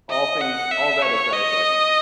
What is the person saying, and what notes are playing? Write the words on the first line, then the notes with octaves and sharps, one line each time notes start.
all things all that aside, like,
D#5
F#5
E5
C#5
D#5